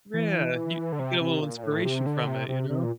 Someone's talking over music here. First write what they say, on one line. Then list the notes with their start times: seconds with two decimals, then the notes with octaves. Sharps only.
Yeah. You you get a little inspiration from it, you know?
0.14 E3
0.92 D3
0.99 C3
1.21 C3
1.42 A#2
1.63 A2
1.85 C3
2.06 D3
2.27 C3
2.48 C3
2.70 C3
2.83 A#2